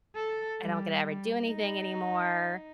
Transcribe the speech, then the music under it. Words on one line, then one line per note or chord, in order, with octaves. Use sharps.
"I don't get to ever do anything anymore,"
A4
G3
D#4